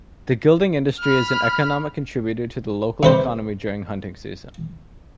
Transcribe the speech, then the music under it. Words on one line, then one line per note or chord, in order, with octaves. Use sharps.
The guiding industry is an economic contributor to the local economy during hunting season.
B5 F6
C3 B4 C5